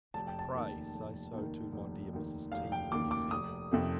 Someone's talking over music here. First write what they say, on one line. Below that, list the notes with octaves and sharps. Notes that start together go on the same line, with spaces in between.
And, pray, say so to my dear Mrs. T. when you see her.
F1 A5
G5
A5
D#2 D#3
F1
D#2 D#3
F1
D#2 D#3
F1 F5
G5
D#2 D#3 D6
D6
F1 D#6
F2 C3 D#3 A3